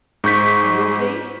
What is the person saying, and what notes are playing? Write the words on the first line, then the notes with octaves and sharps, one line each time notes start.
"And your fee?"
G#2 C#6 G6 B6